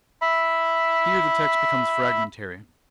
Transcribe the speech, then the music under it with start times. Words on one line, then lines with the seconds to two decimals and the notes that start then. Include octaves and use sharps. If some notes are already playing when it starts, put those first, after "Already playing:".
Here the text becomes fragmentary.
0.22 E5 B5